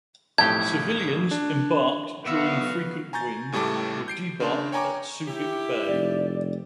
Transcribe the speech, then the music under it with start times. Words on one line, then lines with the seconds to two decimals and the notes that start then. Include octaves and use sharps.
Civilians embarked during "Frequent Wind" were debarked at Subic Bay.
0.38 B1 F2 A2 G4 G5 A5 G#6
1.31 D4
2.25 B1 B3 F#4 B4 E5 F5
3.13 G#5 A#5 C#6 G6 A6
3.52 C#2 A2 G3 A3 A5 D6
4.08 G6 C7 D7
4.40 C#3 D4 A5
4.72 C#5 G5 G#5 A#5 C#6 D6
5.27 E4 G4
5.87 F1 D5